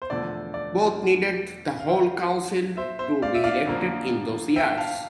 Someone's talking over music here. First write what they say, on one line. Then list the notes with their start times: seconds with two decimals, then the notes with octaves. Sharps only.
Both needed the whole council to be elected in those years.
0.02 C5
0.10 E1 E2 D3 F3 A3 D5
0.54 D5
1.80 F5
1.88 C5 E5
2.77 C5 E5
2.99 C5 E5
3.22 D5 F5
3.35 E5
3.44 D5 F5
3.66 F2 D3 F3 A#3
4.56 E5 G5
4.77 F5 A5